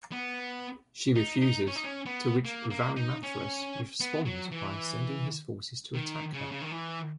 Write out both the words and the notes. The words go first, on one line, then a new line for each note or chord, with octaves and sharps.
She refuses, to which Varimathras responds by sending his forces to attack her.
B3
D#4
D#4
C#4
D#4
C#4
B3
A#3
A#3
D#4
C#4
B3
F#3
E3
D#3
C#3
C#3
D#3
E3